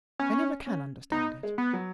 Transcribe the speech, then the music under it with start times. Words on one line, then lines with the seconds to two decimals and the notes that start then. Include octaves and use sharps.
I never can understand it.
0.20 B3 C#4
0.66 C#4
1.12 B3 D#4
1.43 G#3
1.58 B3
1.73 F#3